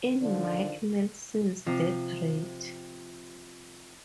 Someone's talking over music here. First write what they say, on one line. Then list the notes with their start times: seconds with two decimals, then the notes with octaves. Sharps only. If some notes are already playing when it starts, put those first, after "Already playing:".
In Mike Nelson's Death Rat!
0.21 D3 D#3 F3 D5
1.67 C3 F3